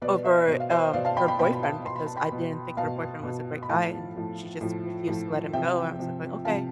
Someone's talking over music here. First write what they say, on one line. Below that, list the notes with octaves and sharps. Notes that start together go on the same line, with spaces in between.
over, um, her boyfriend because I didn't think her boyfriend was a great guy, and she just refused to let him go. I was like going, "Okay"
B2 B4 D5
C5 E5
B2
F5
C5 E5
B2 D5 F5
F5 A5
G5 B5
G5 B5
B2 G5 B5
B5
F5 A5
B2 C6
B5
A5
G5 B5
B2
B2 F5 A5
B2
B5
A2 F3 F5 A5
A2 F3
A2 F3
A2 F3
C3 F3 E5 G5
C3 F3
C3 F3 F5 A5